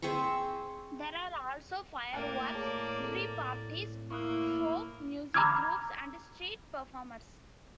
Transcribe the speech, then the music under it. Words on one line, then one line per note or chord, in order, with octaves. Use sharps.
There are also fireworks, free parties, folk music groups and street performers.
C4 G#4 E5 C#6
A2 A#3 D5 G5 A#5 F#6
G#4 C#5 A5
C4 A4
A#3 E4 C#6 D#6 F#6
A#5 B5 D6 E6 F6 G#6